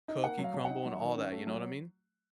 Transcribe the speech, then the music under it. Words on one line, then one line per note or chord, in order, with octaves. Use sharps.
cookie crumble and all that, you know what I mean?
D#4
A#3 F#5
F#3
F5
F#3
F#5
D#4
F#3
D#3
C#4
A3
F#3